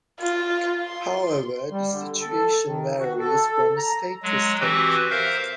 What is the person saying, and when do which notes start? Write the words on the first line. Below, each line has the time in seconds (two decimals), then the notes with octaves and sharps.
However, this situation varies from state-to-state.
0.20 F4
0.83 C6
1.72 G3
1.92 D3
2.21 A4
2.67 D#3
2.99 F#4
3.19 A4
3.77 A#5
4.23 F#3 G#3
4.60 E3 C4 F#4 G4 B4
5.10 A#4 C5 E5 F5